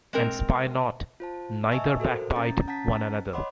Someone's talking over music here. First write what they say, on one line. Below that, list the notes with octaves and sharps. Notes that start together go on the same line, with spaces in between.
And spy not, neither backbite one another.
G#3 C4 A#4
F4 C5 A5
D#5 E5 G#5 A5 C#6 E6
F#4 A4 A#4 C5
C#4 A#5 A6
C#4 F#5 A5 A#5 A6 B6
C#5 D#5 F#5 B5 C6 D6